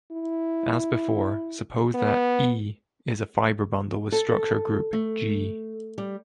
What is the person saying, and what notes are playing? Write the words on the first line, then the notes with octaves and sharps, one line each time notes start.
As before, suppose that "E" is a fibre bundle with structure group "G".
E4
B3
A4
A3
G3